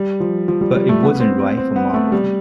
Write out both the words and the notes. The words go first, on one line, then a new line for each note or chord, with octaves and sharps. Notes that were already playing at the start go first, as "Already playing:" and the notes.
But it wasn't right for Marvel.
Already playing: G3
F3
F3
G3
G3
A3
B3
C4
C4
C4
B3
A3
G3